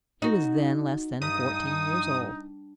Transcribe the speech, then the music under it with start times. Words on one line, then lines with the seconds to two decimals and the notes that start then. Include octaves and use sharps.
He was then less than fourteen years old.
0.22 D#4 F#4
1.22 G2 D#4 D#6